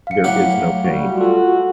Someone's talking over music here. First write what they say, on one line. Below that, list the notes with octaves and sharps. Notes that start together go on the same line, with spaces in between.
There is no pain.
F5 C#7
A2 F#3 G4 F#5
G3 F#4
F4 F#4 A4